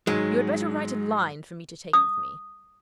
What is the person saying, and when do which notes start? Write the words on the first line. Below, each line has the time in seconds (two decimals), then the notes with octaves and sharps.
You had better write a line for me to take with me.
0.07 G#2 D#3 F#3 G#3
1.93 D#6